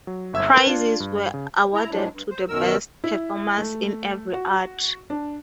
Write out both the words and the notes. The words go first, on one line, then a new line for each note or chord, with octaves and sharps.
Prizes were awarded to the best performers in every art.
F#3
G1 E5 E6 G#6
A#4 B4
D4 F4
G2
C#3
E4 A#5
A2 F3 F#3 G#3 D4
G2
C5
F#2 B2 D#3 A#4 E6
E4
A3
F#4
D4